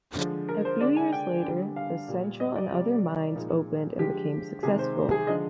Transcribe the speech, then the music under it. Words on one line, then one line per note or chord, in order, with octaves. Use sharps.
A few years later, the Central and other mines opened and became successful.
D3 F3 G#3
A#4
C5
D3 G#3 D5
G#5
G5
D3 G3
F5
A#2 G3
D#5
D5
C3 G3
A#2 F3 G#3 D#4
D3 F3 G#3 G4
C3 D#3 G#3 G#4
C5
G#4
D3 F3 G#3 D#5